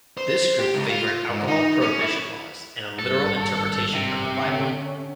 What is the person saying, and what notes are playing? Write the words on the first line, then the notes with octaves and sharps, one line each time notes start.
This group favored alcohol prohibition laws and a literal interpretation of the Bible.
C5
G4
C#2
F4
F4
G#2
D#4
C#4
E4
G#1 G2 A4
C3
D3 C#4